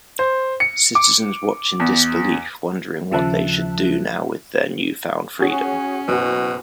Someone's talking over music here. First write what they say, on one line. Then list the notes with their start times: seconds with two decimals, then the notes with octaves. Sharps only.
Citizens watch in disbelief, wondering what they should do now with their new-found freedom.
0.19 C5
0.60 C#7
0.95 D6
1.80 E2
3.11 D#2 C#3 F3 E5 A5 F#6
5.40 C#4 F#4 G#4 C#5
6.08 F#1 B2 F#4